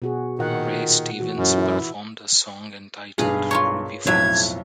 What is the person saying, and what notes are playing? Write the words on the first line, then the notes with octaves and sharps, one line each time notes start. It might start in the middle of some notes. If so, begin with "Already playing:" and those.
Ray Stevens performed a song entitled "Ruby Falls".
B2 F#4 G#4
A#2 D#3 F#5
E3 F#4
F#2
E4
B1 G2 G#4 B4 F5
F4 A#4 C#5
B1 F2 A2 F#3 C#5 E5 G#6